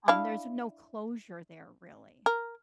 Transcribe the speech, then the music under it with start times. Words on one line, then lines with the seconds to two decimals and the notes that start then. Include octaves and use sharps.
um, there's no closure there, really.
0.08 D4 E4 F5
2.26 A#4